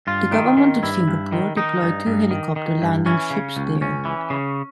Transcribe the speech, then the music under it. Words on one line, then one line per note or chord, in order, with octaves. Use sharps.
The government of Singapore deployed two helicopter landing ships there.
G2 F4
D#3
D#3
G2 E4
G2
D#3
D#3 D#4
G2
G2
D#3
D#3
G2
E3 C#4
C#3
C#2
C#2 C#4
E3
C#3